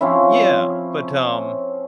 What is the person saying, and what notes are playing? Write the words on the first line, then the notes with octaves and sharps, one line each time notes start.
yeah. But, um,
F3 C4 C#4 E4